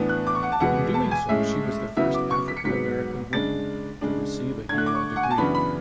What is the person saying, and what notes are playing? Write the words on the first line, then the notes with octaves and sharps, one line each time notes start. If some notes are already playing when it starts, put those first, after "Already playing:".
In doing so, she was the first African-American woman to receive a Yale degree.
Already playing: A2 E3 B3 D4
F#6
D6
C#6
F#5
A5
E2 B2 G#3 B3 F#5
A5
G#5
A2 G#3 C#4 E5
C#3 F#3 B3 E4 E5
D6
C#6
B6
C#7
G#2 F#3 B3 B6
C#3 G#3 D4 A6
C#3 G#3 D4
D3 A3 D4 G#6
F#6
D6
C#6
F#5
G#5
A5
F#2 C#3 E3 B3 D4 B5
B5